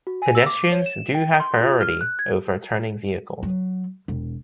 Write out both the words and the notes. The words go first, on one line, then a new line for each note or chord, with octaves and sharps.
Pedestrians do have priority over turning vehicles.
F#4
G#5
E6
D6
C#5
E7
G5
C6
F4
F6
F#6
G#6
F#3
E1